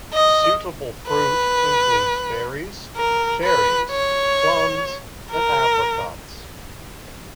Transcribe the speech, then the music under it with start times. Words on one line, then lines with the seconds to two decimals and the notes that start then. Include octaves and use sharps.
Suitable fruit includes berries, cherries, plums and apricots.
0.14 D#5
1.08 B4
2.97 A#4
3.44 B4
3.91 C#5
5.32 A#4